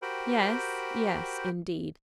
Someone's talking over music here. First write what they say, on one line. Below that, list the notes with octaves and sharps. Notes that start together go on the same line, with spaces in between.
'Yes, yes, indeed.
F#4 G4 A#4 C5 G5 B5